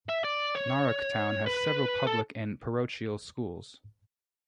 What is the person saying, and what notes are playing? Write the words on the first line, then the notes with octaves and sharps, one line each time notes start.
Narok Town has several public and parochial schools.
E5
D5
C#5
B4
A4